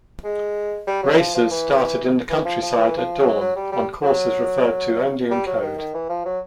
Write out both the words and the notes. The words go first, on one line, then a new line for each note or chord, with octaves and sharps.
Races started in the countryside at dawn on courses referred to only in code.
G#3
G3
F#3
F3
F3
E3
E3
F3
F3
E3
F3
F#3
F#3
G3
G3
F#3
G3
F#3
D#3
D#3
E3
F3
F#3